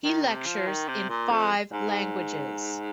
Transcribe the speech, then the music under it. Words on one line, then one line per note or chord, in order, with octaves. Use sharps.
He lectures in five languages.
D#3
C3
F3
D#3
C3
A#2
F2
G#2